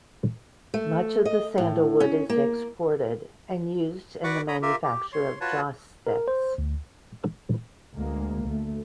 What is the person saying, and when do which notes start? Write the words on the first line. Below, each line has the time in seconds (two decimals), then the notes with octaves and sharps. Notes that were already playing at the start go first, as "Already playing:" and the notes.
Much of the sandalwood is exported, and used in the manufacture of joss sticks.
0.74 A3
1.25 D#5
1.58 A2
2.00 C#4
2.30 A#3
4.24 F#4 B4 D5 F#5 C#6 D6
4.48 C#5 A#5 B5 D#6
4.62 F4 G4 A#4 E5
4.83 G4
5.13 C#5 C6
5.41 F4 F#4 B4 C#5 A5
6.07 A#4
6.28 C5
6.58 D2
7.94 D2 G#3 A#3
8.44 D2 A3